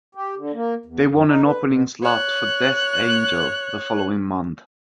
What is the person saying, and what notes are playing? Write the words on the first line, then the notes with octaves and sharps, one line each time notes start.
They won an opening slot for Death Angel the following month.
G4
D3
A#3
E2
F#2
D#4
B4
B2
C#5 F#6